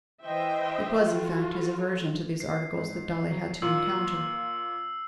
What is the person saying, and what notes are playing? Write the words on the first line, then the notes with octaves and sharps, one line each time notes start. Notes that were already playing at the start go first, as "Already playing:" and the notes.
It was, in fact, his aversion to these articles that Dolly had to encounter.
E3 C5 D#5 E5 G5
F4 F#4 A4
C7
G#2
F#3
A#2 A#3 F4 E6